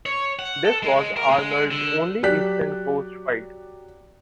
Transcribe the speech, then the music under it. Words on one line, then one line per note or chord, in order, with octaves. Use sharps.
This was Arnold's only Eastern coast fight.
C#5
F#5
A4
G#3
A#4
G#3
D3
F#3 G4 D5 F#6 B6